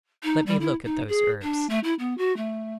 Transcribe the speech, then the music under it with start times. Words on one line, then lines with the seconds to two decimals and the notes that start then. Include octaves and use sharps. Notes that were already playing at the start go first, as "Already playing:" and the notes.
Let me look at those herbs.
0.23 D#4
0.46 G3
0.60 E4
0.84 D#4
1.08 G#4
1.42 D4
1.69 A3
1.83 E4
1.99 B3
2.17 F#4
2.36 A3